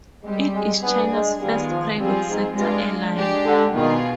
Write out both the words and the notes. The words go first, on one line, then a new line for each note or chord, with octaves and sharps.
It is China's first private sector airline.
G3 G#3 C4 G4
G#3
G3 B3 D4 G#4
G#3
D#3 G3 G#3 B3 F4 G#4
F3
F3 G3 C4 F4 G#4
G#2
G2 G#3 D4 F4
G#3 D4 G4
D3
B2 D#3 B3 F4 G#4